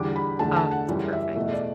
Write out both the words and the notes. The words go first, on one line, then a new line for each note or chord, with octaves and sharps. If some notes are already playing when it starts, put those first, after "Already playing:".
Oh, it's perfect.
Already playing: E2 D3 G3 D6
B5
E2 D3 A3 A5
A5
F#5
F#2 C#3 E3 G3
E5
E2 B2 A3 E5
D5